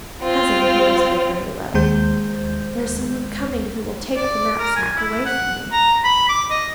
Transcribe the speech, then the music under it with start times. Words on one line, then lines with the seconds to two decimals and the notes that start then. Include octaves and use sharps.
'Cousin,' he whispered very low, 'there is someone coming who will take the knapsack away from me.
0.23 C4 F4
1.74 D#2 G#3 C5 G6
4.16 D5
4.59 A#4
4.76 G#5
4.97 E4
5.26 F#5
5.72 A#5
6.04 B5
6.29 D6
6.50 D#5